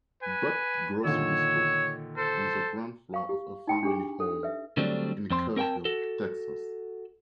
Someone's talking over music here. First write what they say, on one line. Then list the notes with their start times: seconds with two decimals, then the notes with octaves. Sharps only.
Butt Grocery Store on the ground floor of her family home in Kerrville, Texas.
0.23 B4 G#5
1.04 A#2 D3 D#3 C#5 E6
2.17 A4 C5
3.14 F5 C#6
3.29 G4
3.67 D#4 G5 B5
3.83 D4 G4 G#4
4.20 A4
4.43 B4 E5
4.77 D3 F#3 G3 A3 C4 D4
5.30 F2 C4 C6
5.56 C4 A#4 F#5 G5 A5
5.85 F#4 A4